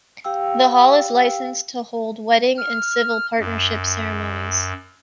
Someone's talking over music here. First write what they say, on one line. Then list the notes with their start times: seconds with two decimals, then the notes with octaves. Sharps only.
The Hall is licensed to hold wedding and civil partnership ceremonies.
0.24 G4 F5 G5 E6
2.58 F6
3.39 F#2